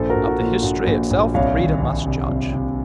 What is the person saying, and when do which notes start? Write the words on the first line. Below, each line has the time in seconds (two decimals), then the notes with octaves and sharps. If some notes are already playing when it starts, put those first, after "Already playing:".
Of the history itself the reader must judge.
Already playing: A#1 A4 C5
0.09 F#4 A#4
0.16 A#1
0.28 F#4
0.40 A#2
0.46 F4
0.63 A#1 F#4
0.87 A#1
1.11 A#1
1.34 C2 C#5 F5
1.58 D#3
1.82 C2
2.06 C3
2.29 C2
2.53 C3